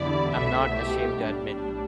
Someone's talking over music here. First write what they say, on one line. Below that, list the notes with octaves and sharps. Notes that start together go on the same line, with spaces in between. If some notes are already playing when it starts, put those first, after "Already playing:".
I'm not ashamed to admit.
Already playing: E2 D3 G3 B3 E4 D5
C2 B2 A3 E5
G4
B1 A2 G3 D4